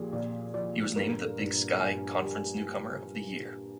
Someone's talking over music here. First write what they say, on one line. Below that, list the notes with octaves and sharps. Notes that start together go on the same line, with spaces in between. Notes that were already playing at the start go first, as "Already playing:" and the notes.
He was named the Big Sky Conference Newcomer of the Year.
Already playing: A#2 F3 G4 G#4
A#2 D5
F3 D5
G2 A#4
G2
G2 G#5
G3